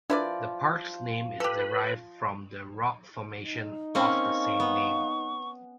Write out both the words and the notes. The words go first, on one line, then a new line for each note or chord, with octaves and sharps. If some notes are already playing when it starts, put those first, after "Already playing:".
The park's name is derived from the rock formation of the same name.
F3 D4 E4 A#4 B4 D5
G4 A4 B4
D#4
A#3 C4 C#4 F5 C#6
B3